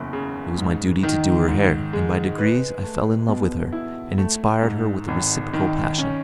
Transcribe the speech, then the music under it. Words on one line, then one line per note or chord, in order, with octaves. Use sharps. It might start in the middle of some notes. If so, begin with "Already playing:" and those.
It was my duty to do her hair, and by degrees I fell in love with her, and inspired her with a reciprocal passion.
Already playing: F#1 E2
C#3
G#2
D#3
G#2
G#3
B4
A3
B2
E4
A3
G#2
G#1
D#3
C#4